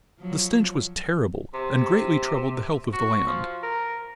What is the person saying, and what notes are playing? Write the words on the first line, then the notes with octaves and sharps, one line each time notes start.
The stench was terrible and greatly troubled the health of the land.
F3 F#3
C3
F#4
F3
A#4